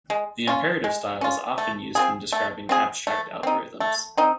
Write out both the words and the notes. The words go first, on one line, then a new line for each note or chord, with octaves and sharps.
The imperative style is often used when describing abstract algorithms.
G#3
C#4 F4
G#3
C#4 F4
A3
C4 F4 G#4
A3
C4 F4 G#4
A3
C4 D#4
A3
C4 D#4